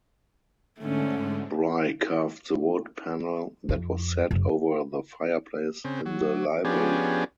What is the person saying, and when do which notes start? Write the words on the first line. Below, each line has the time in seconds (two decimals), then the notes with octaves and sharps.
Bry carved the wood panel that was set over the fireplace in the library.
0.79 G#2 D3 A3 C#4
3.69 F2
4.31 F#1
5.85 C#3 C4
6.06 F#3
6.65 F3 B3 C#4 D4 G4 G#4